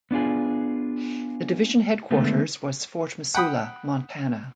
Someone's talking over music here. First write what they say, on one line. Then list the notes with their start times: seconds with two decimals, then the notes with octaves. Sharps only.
The division headquarters was Fort Missoula, Montana.
0.11 B3 D4 F4 G#4
2.11 D3 G#3 A3 B3
3.35 F#5 G5 B5 D#6